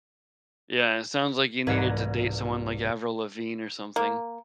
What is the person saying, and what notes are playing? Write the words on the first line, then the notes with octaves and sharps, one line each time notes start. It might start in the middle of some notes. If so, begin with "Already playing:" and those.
Yeah, it sounds like you needed to date someone like Avril Lavigne or something.
E1 C2 G#2 B4 A#5 G#6
A#3